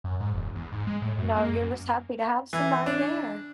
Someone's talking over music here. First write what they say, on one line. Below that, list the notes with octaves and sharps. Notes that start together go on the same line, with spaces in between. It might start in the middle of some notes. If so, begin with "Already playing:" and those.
No, you're just happy to have somebody there.
F#2
G#2
E1
E2
G#2
G#3
A2
F#2
A#3
F#2
E3
D4